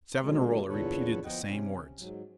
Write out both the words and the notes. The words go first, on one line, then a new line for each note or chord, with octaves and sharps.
Savonarola repeated the same words.
B2 D3 F#3 G#3 A#3
E2 A#2 D3 A4 B4 C#5
F3 B3 D#5 F#5 G5
C3 C#4
G#2 F#3